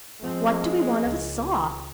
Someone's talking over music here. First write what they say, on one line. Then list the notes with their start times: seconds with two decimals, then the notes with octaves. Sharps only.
"What do we want of a saw?"
0.21 F3 G#3 C4
1.01 C#2